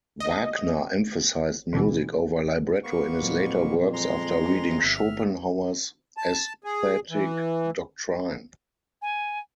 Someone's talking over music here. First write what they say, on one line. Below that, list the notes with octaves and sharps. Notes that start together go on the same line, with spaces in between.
Wagner emphasized music over libretto in his later works after reading Schopenhauer's aesthetic doctrine.
D#5
D2 B2 E3
A#3 B3 C#6
F2 A#2 F#3
G#3 A#5 C6
G1 E5 F6
A5
G#4
E3
G#5